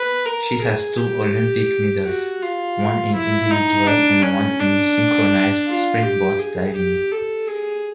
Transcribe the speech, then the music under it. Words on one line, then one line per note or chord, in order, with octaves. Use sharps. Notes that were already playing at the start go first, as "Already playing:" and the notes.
She has two Olympic medals, one in individual and one in synchronized springboard diving.
Already playing: B4
A#4
G#4
G4
F#4
F4
E4
D#4
D4
C#4
D4
F4
G4
G#4
G4
A4
G#4